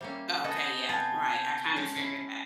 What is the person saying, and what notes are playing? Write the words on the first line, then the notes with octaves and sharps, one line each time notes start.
Okay, yeah, right, I kinda figured that.
G3 A#3 C#4 C5 E5
B3 A4 B4 D#5 G#5 G6 G#6
C3 B3 F4 A5
F3 G#3 C#4
C#4 E4